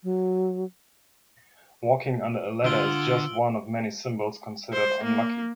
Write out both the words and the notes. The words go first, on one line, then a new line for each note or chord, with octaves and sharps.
Walking under a ladder is just one of many symbols considered unlucky.
F#3
D3 F4 E6 D7 G7
C5
A#3